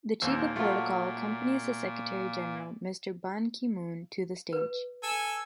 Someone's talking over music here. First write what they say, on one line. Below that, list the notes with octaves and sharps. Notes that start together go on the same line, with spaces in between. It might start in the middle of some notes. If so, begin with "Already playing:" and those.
The chief of protocol accompanies the Secretary General Mr. Ban Ki-moon to the stage.
D#2 A#2 C5 E6
F#3 A3 F4
B4
A4 G#5 E6